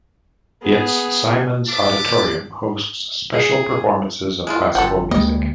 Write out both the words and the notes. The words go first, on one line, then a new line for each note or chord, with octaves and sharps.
Its Simons Auditorium hosts special performances of classical music.
B3 G#4
B3 E5 A5 D6
G#4
G#3 E4 F4
G1 F3 A4 F#5 G5
D2 G3 G#3 A#3 D#5